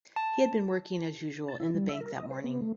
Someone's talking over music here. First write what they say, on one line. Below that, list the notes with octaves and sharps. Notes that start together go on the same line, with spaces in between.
He had been working as usual in the bank that morning.
A5
A5
E4
G3
E5
A#4
D#5
C5
B3
A3